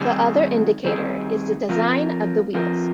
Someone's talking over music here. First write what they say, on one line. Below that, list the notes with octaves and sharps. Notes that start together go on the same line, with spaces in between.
The other indicator is the design of the wheels.
D#3 G3 C4 D#4 G#4
D#3 G3 C4 D#4 G#4
F3 C4 F4 A#4
F3 C4 F4 A#4